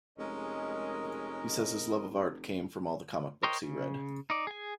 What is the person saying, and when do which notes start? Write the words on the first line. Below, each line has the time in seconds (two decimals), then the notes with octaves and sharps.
He says his love of art came from all the comic books he read.
0.18 F1 G#3 C#4 A#4 D#5
3.43 A#4 C5 C#5 D#5 G5
3.63 C#3
4.30 D#4 D5
4.47 G#4 G#5